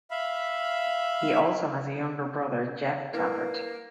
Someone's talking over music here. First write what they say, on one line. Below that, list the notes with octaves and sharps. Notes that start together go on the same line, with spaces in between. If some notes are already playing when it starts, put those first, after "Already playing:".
He also has a younger brother, Jeff Tapert.
E5 F5 B5
A#3 E4 B4